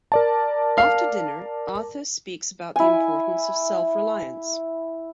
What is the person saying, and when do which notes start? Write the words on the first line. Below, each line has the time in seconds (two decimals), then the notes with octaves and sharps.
After dinner, Arthur speaks about the importance of self-reliance.
0.12 A#4 D5 A5
0.78 F5
2.76 E4 G#5